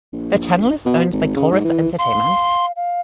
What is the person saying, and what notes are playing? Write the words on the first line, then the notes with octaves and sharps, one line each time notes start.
The channel is owned by Corus Entertainment.
A#1
B2
G#1
C#3
G#2
E3
F5 C6
F5